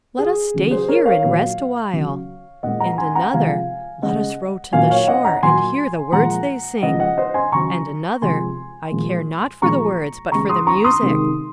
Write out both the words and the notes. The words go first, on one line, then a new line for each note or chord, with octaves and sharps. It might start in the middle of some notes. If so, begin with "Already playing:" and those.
Let us stay here and rest awhile." And another, "Let us row to the shore, and hear the words they sing." And another, "I care not for the words, but for the music.
G#4
C#3 F#3
G#4 C5
A#4 C#5
C#5 F5
A#2 F#3
C#3 F#3
A#2 G#3 D#5 F#5
F#5 A#5
G#5 C6
F#5 A#5
C3 F3 G#3 F5 G#5
C#3 G#3 D#5 F#5
A#2 F#3 F5 G#5
C#5 F5
D#5 F#5
F#5 A#5
A#2 F#3 G#5 C6
A#2 F3 G#3 F#5 A#5
C#3 F3 G#3 D#5 F#5
D#5 F#5
C5 D#5
G#5 C6
C#3 F#3 A#5 C#6
C3 F3 G#3 G#5 C6
A#2 F3 G#3
A#2 F3 G#3 A#5 C#6
C#3 G#3 A#5 C#6
C6 D#6
A#5 C#6
C6 D#6
C3 D#3 G#3